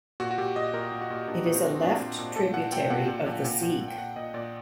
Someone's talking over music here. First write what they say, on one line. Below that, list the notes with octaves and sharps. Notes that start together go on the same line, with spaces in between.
It is a left tributary of the Sieg.
A#2 F#4
F#4
A#2 G4
A#2 D#5
A#2 A#4
A#2
F#4
A#2
A#2 D4
A#2
C4
A#2
C4
A#2 D4
A#2
A#2
A#2 A4
A#2 F#5
A#2 G5
A#2 F#5
A#2
A#2
A#2
A#2
A#2
G5
A#2 F#5
A#2 D#5
A#2 D5